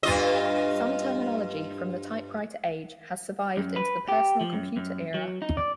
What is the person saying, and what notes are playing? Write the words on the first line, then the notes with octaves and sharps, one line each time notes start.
Some terminology from the typewriter age has survived into the personal computer era.
G2 F4 D#5
F#2
B4
G4
F3
F#2
F#2
F#3
D#4
D5